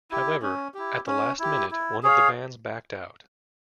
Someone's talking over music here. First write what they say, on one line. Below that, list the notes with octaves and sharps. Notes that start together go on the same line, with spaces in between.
However, at the last minute, one of the bands backed out.
E4 G4
C#4
E4 G4
C#4
E4 G4
E4
G#4 C#5 F5